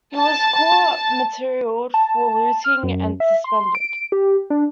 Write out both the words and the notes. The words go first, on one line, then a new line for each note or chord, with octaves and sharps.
He was court-martialled for looting and suspended.
A5
A5
F6
F#2
E5
C6
D7
G4
D4